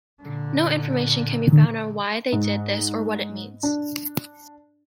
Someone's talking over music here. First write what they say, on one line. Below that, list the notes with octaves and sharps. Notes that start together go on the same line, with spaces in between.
No information can be found on why they did this or what it means.
A#2 D3
G#2
D4